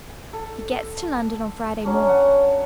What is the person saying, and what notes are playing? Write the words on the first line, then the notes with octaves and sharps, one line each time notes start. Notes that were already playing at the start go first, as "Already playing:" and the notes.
He gets to London on Friday morning.
G#5
A4
F#3 C#4 D4
F#5 G#5 A5